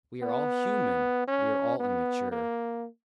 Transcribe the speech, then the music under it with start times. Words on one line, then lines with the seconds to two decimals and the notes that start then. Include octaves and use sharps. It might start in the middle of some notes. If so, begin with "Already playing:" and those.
We are all human, we are all immature.
0.22 B3
1.28 C#4
1.79 B3
2.32 A#3